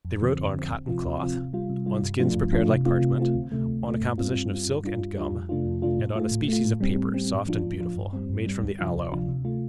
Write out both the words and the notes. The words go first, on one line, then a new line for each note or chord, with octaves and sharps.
They wrote on cotton-cloth, on skins prepared like parchment, on a composition of silk and gum, and on a species of paper, soft and beautiful, made from the aloe.
F2
D3 F3 C4
F2
D3 F3 C4
D2
C3 F3 C4 F4
D2
C3 F3 C4 F4
C3
G3 F4
C3
G3 F4
G2
F3 A3 D4 F4
G2
F3 A3 D4 F4
C3
A3 C4 F4
C3
A3 C4 F4
D2
C3 A3
D2
C3 A3
G2
G3 C4 F4
G2
G3 C4 F4
G2
G3 D4 F4
G2
G3 D4 F4
F2
C3 A3 D4 F4
F2
C3 A3 D4 F4
A2
A3 F4
A2
A3 F4
A2
G3 C4
A2
G3 C4
A2
F3 D4 F4
A2
F3 D4 F4
G2
G3 C4
G2
G3 C4
D2
C3 F3 D4 F4
D2
C3 F3 D4 F4
C3
A3 F4